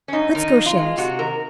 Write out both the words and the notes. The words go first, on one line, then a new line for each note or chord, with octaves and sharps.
Let's go shares.
C#4
F#2 D#4
D#3 D#4
F2
F4
G#3
C3 F#4
D#3 A#4